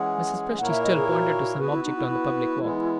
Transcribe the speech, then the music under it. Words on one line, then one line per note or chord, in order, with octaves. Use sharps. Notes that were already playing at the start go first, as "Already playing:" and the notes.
Mrs. Presty still pointed to some object on the public walk.
Already playing: E3 G#3 C#4 G#4 F#5
A#2 A#3 E4 A#4 C#5 F#5
E5
D#5
G#4
F#4
B3 F#4 G#4 B4
E4
D#4
E4
E4
E3 G#3 B3